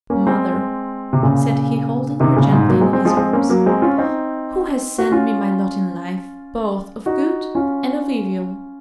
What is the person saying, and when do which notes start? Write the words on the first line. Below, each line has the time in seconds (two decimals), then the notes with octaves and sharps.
'Mother!' said he, holding her gently in his arms, 'who has sent me my lot in life, both of good and of evil?'
0.10 A#3 C#4
0.27 G#3 C4
1.13 C3
1.23 A#2 C#3
2.20 C3 D#3
2.36 A#2 C#3
2.52 G#2 C3
2.69 F#3 A#3
2.81 G#3 C4
2.93 G#3 C4
3.05 F3 G#3
3.17 G#3 C4
3.33 A#3 C#4
3.49 F#3 A#3
3.66 G#3 C4
3.82 C#4 F4
3.98 C4 D#4
4.98 F#4
5.12 C#4 F4
7.06 D#4 F#4
7.55 C#4 F4